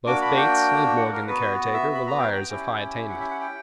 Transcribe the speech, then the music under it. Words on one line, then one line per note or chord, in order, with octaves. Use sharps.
Both Bates and Morgan, the caretaker, were liars of high attainment.
A#3 D4 F#4 D6
B5
G5
F#5
A#4
B3 F#4 B4
E5
B5
A#5
G5
G5
C#4 E4 G4
F#5
E5
F#5
G5